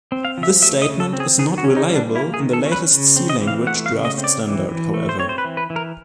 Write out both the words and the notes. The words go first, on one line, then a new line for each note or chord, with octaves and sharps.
This statement is not reliable in the latest C language draft standard, however.
C4
F5
F3
E5
A3 E5
D#5
C#3
A4
C4
G#4
D#3 G#4
F#4
C#4
D#4
G3
D4
A#3 E4
G#4
D#3
A4
C#4
B4
C#3
C4
D#5
E3
F5
A3 F#5
F5
C#3
D#5
C4
D5
E3
E3
A3
C5
C4 C#5
C5
B4
E3
B4
E3
A#4